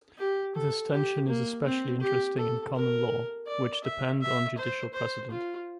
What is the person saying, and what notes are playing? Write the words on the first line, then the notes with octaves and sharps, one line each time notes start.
This tension is especially interesting in common law, which depend on judicial precedent.
G4
A4
G4
A#3
C4
G4
A4
A#4
D5
E5
E5
C5
C5
F4